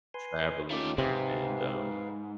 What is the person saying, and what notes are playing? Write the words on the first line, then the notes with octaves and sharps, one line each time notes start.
traveling and and, um,
B4 G#5 C6
A3 C#4 D#4 F4 G4
G#2 C3 B4 F5